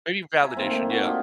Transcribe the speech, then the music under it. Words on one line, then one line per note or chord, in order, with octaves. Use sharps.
Maybe validation, yeah.
E5 G#5 A#5
D#3 A#3 C4
A3
F#4
D4 F4 G4 D#5